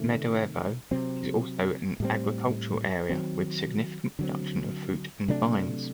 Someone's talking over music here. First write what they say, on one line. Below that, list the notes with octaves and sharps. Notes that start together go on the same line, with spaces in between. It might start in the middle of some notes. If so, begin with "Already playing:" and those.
Smederevo is also an agricultural area, with significant production of fruit and vines.
Already playing: C3 D#3 A3
C3 F#3 C4
A2 G3 C4
D#3 F#3 C4
D3 F#3 C4
C3 F#3 A3 D4